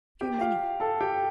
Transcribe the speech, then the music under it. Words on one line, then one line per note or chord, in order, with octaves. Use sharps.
Too many.
G4 G5
F4 F5
A4 A5
G4 G5